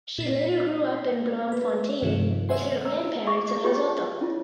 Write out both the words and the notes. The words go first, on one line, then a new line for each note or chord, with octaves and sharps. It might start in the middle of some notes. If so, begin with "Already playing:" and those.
She later grew up in Bloemfontein with her grandparents and Lesotho.
A#2 B6 C7
B4
G2 C3 D#3 F3
C#5 D#5 E5 F#5 G#5 C6
A#5 E6
G#4 E5 C#6 D6
F4 G4 G#4 C#5 E5 G5
C#4 E4 F4 C#5